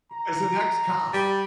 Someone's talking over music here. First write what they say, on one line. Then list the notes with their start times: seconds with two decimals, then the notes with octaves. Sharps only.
as an ex-cop,
0.12 A#5
1.13 G3